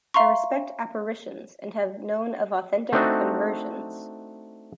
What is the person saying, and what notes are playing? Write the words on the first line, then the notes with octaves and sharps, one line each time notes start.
I respect apparitions and have known of authentic conversions.
E5 F5 A#5 C6 C#6
A3 C4 D4 D#4 F#4